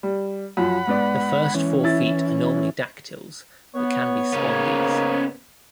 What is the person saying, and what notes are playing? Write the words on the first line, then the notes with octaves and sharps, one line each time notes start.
The first four feet are normally dactyls, but can be spondees.
G3
F#2 F3 F#5 B5
G#2 B3 D5
E3 C#4
E4 A6
B3 C#5
G#2 C#3 A#3 B3 C#4